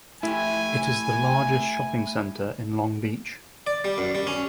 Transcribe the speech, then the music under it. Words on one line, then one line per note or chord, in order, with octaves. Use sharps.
It is the largest shopping center in Long Beach.
A3 E4 G4 G#5
D5
G3
F#2
G3
C#4